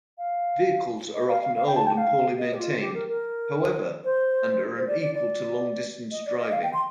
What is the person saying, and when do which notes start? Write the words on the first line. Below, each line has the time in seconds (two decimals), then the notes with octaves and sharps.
Vehicles are often old and poorly maintained, however, and are unequal to long-distance driving.
0.18 F5
1.14 D#5
1.28 F5
1.43 F5
1.56 F5
1.67 G5
1.76 A5
1.87 G5
1.98 F5
2.39 D#5
2.54 G4
2.60 F4
2.80 G4
2.94 A#4
3.08 A#4
4.04 C5
4.77 C5
4.87 D5
5.01 D5
5.15 D5
6.11 D#5
6.26 D5
6.39 D#5
6.52 F5
6.63 G5
6.73 C6